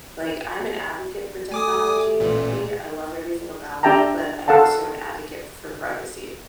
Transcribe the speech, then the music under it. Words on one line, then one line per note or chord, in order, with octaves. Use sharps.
Like, I'm an advocate for technology, I love everything about it, but I'm also an advocate for privacy.
A3 G#5 D6 D#6
A1 A#2
D4 G4 E5 G5 A5 A#5
A4 F5 F#5 A5